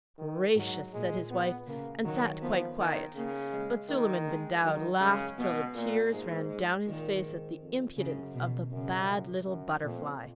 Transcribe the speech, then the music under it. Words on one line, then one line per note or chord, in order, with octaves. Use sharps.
'Gracious!' said his wife, and sat quite quiet; but Suleiman-bin-Daoud laughed till the tears ran down his face at the impudence of the bad little Butterfly.
D#3
G#2 F#3
A#2 G#3
B3
C#3 A#3
D#3 F#3
F3 B3
D#3
C#3 A#3
G#3
D#3 A#3
G#3
D#3 F#3
C#3 G#3
B2 B3
A#2 A#3
G#2 G#3
G#3
A#2 D#3
G#2
F2
F#2 C#3
B2
F#2 C#3
F#2
F2 A#2